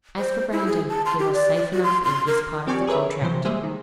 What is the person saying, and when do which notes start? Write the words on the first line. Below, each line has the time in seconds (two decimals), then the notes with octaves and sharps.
As for Brandon, he was safe enough in his part of the contract.
0.19 C5
0.52 E4
0.67 G#4
0.89 A5
1.06 C6
1.19 G4
1.33 D5
1.55 D5
1.72 F#4
1.84 C6
2.04 C6
2.27 A#4
2.67 F3 C4 G4 D5 G#5 C#6
2.87 G#4 A#4 B4 C#5 E5
3.22 C3 E3 F#3 C5
3.45 G3 G#3 A#3 G#4 C5 E5
3.63 D#3